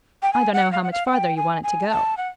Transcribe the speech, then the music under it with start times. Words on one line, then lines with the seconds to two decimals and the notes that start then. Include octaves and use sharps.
I don't know how much farther you want it to go.'
0.22 G5
0.33 G#5
0.53 F#5
0.72 F5
0.83 F#5
0.92 F5
1.06 F#5
1.11 G5
1.37 G#5
1.63 G#5
1.89 A5
2.17 F#5